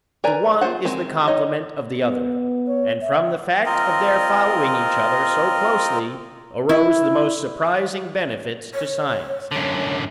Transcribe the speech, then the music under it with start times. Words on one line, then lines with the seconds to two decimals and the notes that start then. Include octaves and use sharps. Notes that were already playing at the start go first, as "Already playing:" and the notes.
The one is the complement of the other; and from the fact of their following each other so closely arose the most surprising benefits to science.
0.24 A#4 B4 D5 G#5 A#5
0.61 F4 G#4 C5 F#5
0.85 D#3 G#3 C4
1.27 D#4 C#5 D#5
1.99 B3
2.67 C#5
3.02 E5
3.66 C4 F4 A#4 D#5
6.69 E4
8.74 C#5
9.52 F#2 D3 C#5